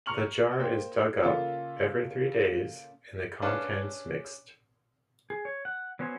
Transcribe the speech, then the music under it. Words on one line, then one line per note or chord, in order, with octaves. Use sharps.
The jar is dug up every three days and the contents mixed.
A#5 C#6 F6 F#7
A#3 C5 G5
C#3 A#3 F4 A4
C#4 D4 B4 F5 A5
G#4
C#5
F#5
F#3 B3 C#4 C5